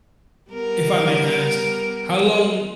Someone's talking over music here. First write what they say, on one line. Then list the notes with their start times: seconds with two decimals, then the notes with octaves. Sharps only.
if I may ask, how long
0.51 G3 B3 A#4